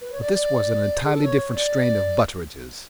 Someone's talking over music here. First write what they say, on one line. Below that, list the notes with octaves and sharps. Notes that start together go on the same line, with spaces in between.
But this was an entirely different strain of Butteridges.
B4
C#5
D5
D5
G#4
A4
C#5
D5